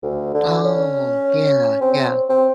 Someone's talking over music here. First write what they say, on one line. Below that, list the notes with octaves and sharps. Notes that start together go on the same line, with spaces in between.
Oh, yeah, yeah.
D2
D3
C#4
C4
C4